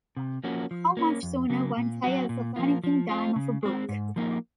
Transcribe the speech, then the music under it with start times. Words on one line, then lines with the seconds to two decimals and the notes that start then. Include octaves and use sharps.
How much sooner one tires of anything than of a book!
0.17 C3
0.44 F3 A#3 C#4 F#4
0.71 F3
0.97 A#3 C#4
1.23 F2
1.50 C#3 F#3 A#3
1.77 A#2
2.04 F#3 C4 F#4
2.29 A#2
2.56 F3 A#3 F4
2.84 F3
3.09 C4 F4
3.36 C#3
3.63 G#3 C4
3.89 G#2
4.16 F3 A#3 D#4